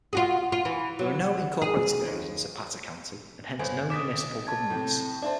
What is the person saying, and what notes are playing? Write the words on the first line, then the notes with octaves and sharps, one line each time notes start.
There are no incorporated areas in Zapata County and hence no municipal governments.
F4 F#4 G#4
F4
E3
F#3
G#4
D#2
G1 C5 G#5
A1 D6 D#6 B6 E7
A5 G#6
A2 C3
D4 C5 D5 E5 A5